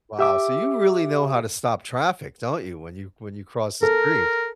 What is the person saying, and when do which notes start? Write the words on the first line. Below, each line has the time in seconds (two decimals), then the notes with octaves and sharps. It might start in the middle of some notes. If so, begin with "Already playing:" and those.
Wow, so you really know how to stop traffic, don't you? When you when you cross the street.
0.19 G4 E5 D6
3.83 A4 A#4